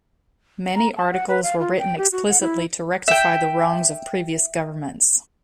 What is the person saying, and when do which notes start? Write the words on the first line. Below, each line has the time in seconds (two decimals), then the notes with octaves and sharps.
Many articles were written explicitly to rectify the wrongs of previous governments.
0.76 A#5
0.97 A5
1.12 F#5
1.29 B4
1.43 F5
1.60 F4
1.79 G5
1.98 G4
2.12 F#4
2.29 F#5
2.41 E4
3.08 E5 G5